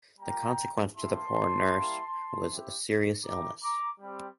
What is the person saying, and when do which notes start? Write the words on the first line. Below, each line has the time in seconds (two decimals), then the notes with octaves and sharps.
The consequence to the poor nurse was a serious illness.
0.19 G3 A#3 F4 G5 A#5
0.95 A#3 E4 G4 A5 C6
1.71 G3 A#3 E4 G4
2.49 C4 E4 G4
3.25 A3 E4 G4 A#5 D6
3.62 A#5 D6
4.00 G3 C4 G4